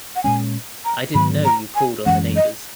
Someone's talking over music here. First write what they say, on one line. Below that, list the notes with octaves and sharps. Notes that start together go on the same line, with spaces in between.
I didn't know you called on the neighbours.
F#5
A#2 G#3 C#4 G#5
A#5
G#2 D#3 F#3 B3 B5
A#5
G#5
F#2 E3 G#3 C#4 F#5
D#5